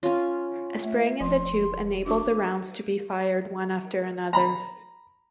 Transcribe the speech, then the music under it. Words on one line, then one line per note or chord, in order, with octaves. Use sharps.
A spring in the tube enabled the rounds to be fired one after another.
C#4 F4 C#5
A3 E5
E1 F3 D5 C6
D4 F#4 C#6 D6
A#5 B5